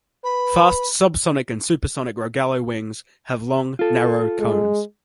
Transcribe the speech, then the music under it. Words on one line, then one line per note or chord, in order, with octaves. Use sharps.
Fast subsonic and supersonic Rogallo wings have long, narrow cones.
B4 B5
F4 A4
G#3